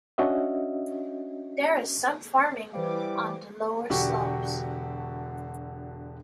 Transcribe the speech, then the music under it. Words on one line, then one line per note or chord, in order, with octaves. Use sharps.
There is some farming on the lower slopes.
C#4 D4 F#4 D#5 E5
E3 G3 B4 C5 F5 D6
E1 D3 F#4 G4 A4 C#6